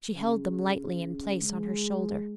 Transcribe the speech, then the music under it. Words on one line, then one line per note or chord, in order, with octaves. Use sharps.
She held them lightly in place on her shoulder.
C#3
G#3